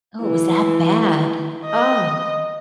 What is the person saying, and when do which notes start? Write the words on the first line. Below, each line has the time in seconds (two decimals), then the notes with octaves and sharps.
Oh, it was that bad? Oh.
0.21 E3
1.66 D#5